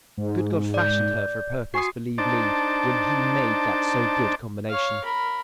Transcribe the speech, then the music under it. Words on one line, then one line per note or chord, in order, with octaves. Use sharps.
The good God fashioned her for a purpose, believe me, when He made that so good combination.
G#2
D5 G6
F#4 G#5 C#6 D#6 C7
D4 D#4 C5 A5 D6
C#5 F5
A#4 B5